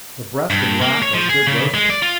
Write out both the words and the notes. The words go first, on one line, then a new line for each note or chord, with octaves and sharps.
The breast and rack are good roasted.
G2
A#3
C#5
F3
G#4
C#3
G#3
D5
F4